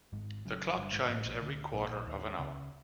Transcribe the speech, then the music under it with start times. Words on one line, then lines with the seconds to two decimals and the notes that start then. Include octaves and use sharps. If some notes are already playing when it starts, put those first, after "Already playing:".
The clock chimes every quarter of an hour.
0.13 G#1 G#2
0.45 F#1 F#2
0.77 G1 G2
0.93 G#1 G#2
1.09 A1 A2
1.26 A#1 A#2
1.42 D2 D3
1.74 A#1 A#2
2.06 D#2 D#3
2.39 C#2 C#3